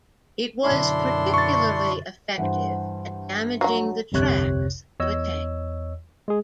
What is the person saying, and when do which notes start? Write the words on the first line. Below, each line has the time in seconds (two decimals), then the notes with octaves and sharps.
It was particularly effective at damaging the tracks of a tank.
0.64 F#2 B2 D3 D4 E4 C6
1.34 C#6 A6
2.38 G2 E3 C5 F#5
3.61 F#3 F#4
4.12 G1 C2 F2 C3 C#5 F#6
5.00 E2 C#5 D#5 E6
6.28 G#3 G#4